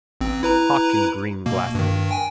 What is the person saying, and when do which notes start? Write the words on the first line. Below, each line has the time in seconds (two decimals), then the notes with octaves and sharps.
Hock in green glasses.
0.21 A1 C4
0.43 E4 B4 A#5
1.46 B2 A#3
1.75 G2 D#3
2.11 G5 G#5